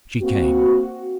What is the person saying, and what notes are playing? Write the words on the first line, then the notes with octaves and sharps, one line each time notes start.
She came.
A#3 C4 F#4